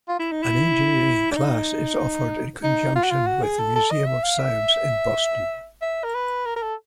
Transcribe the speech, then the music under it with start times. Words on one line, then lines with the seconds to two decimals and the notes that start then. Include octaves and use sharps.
An engineering class is offered in conjunction with the Museum of Science in Boston.
0.08 F4
0.20 E4
0.32 D#4
0.43 E4
1.31 D4
1.36 D#4
2.63 D#4
2.96 F4
3.04 F#4
3.11 F4
3.27 F#4
3.43 G#4
3.59 A4
3.76 A4
3.91 D#5
4.06 E5
4.23 F5
4.39 E5
5.82 E5
6.04 A#4
6.15 B4
6.46 A#4
6.56 A#4
6.62 A4